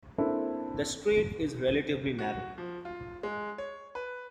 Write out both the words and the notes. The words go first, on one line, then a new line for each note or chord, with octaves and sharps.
The strait is relatively narrow.
A#3 C4 D4 E4 A4
F#4
F3
F4
G#3
C#5
B4